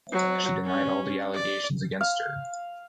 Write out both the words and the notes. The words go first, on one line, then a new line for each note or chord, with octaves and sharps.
She denied all the allegations against her.
F#3
C#4
D5
F5